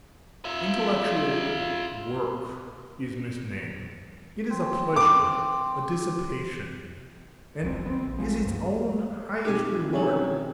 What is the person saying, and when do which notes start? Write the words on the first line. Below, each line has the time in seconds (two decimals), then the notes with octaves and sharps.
Intellectual "work" is misnamed; it is a pleasure, a dissipation, and is its own highest reward.
0.45 F4 E5
4.50 C4
4.96 D6
7.62 D#1 C2 C4
7.86 B3 C4
8.06 A#1
8.18 A#1 F#2 F3 G#3
8.43 C#2 G2
9.45 B2 A3 C4 D#4 G4 G#5
9.93 A2 D#3 F#3 C#4 E4 G#4 C#5